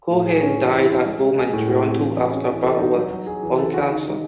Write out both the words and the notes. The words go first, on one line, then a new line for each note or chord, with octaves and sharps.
Cohen died at home in Toronto after a battle with lung cancer.
A2
G#4
C#4
E3
E4
C#4
G#3
G#3
G#4
A2
F#4
C4
E3
G#4
C#4
E3
A4
D#4
F#3
F#3
G#4
E3
A4
F#4
D#3
D#3